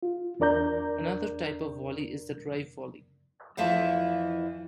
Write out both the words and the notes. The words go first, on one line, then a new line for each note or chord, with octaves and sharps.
Another type of volley is the drive volley.
F4
E2 D4 A#4 D5 A#5 G6
F2 E3 F3 E5 A5